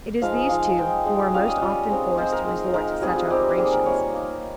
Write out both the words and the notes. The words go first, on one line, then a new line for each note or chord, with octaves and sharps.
It is these, too, who are most often forced to resort to such operations.
F3 G#3 D#4 F5
F3 G#3 D#4 F5
G#3 D#4 G5
G#3 D#4
G3 C#4 F4 F5
D#5
G3 C#4 F4
G#3 C4 D#4
G#3 C4 D#4 C5
A#4
G#3 D#4
G#3 D#4 A#4
G3 C4 D#4 G#4
F4
G3 C4 D#4 G4
G3 A#3 D#4 G#4
A#4
G3 A#3 D#4 C#5
A#3 D#4